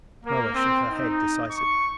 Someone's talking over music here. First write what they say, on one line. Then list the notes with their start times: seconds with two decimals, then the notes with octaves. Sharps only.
Moa shook her head decisively.
0.24 A#3
0.55 C4
0.91 D#4
1.50 C#6